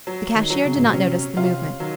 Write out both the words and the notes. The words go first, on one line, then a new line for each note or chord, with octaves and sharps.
The cashier did not notice the movement.
F#3
D#3
F#3
C#3
G#2
A#2
C3 C#4
C3 F4
D#3 F#3